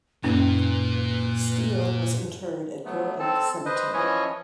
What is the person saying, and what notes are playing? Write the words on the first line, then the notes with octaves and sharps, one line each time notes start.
Steele was interred at Burr Oak Cemetery.
F#2 A#2 A#3 C#4 B4
F#3 A3 B3
C4 A4 A5
B4 C5 D#5
E3 F3 C#4 E4 C#5 D#5